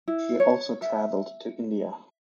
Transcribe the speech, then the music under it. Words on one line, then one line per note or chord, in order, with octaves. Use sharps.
She also traveled to India.
E4
C#5
E5